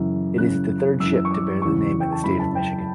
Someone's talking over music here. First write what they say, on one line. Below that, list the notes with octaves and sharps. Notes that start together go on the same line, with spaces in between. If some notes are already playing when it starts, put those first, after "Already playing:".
It is the third ship to bear the name of the state of Michigan.
Already playing: F#2 C#3 E3
F#2 C#3 E3 F#6
F#2 E3 E6
C#6
D6
E2 C#3 E3 C#6
G5
A5
F#2 C#3 E3 B5
A5
G5